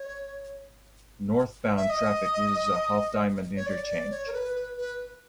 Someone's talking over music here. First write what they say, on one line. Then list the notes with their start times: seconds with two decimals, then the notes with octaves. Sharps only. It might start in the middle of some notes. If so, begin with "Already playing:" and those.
Northbound traffic uses a half-diamond interchange.
Already playing: C#5
1.77 E5
1.88 D#5
3.56 C#5
3.66 D5
3.88 D5
4.11 C#5
4.27 A#4
4.33 B4
4.55 B4
4.77 B4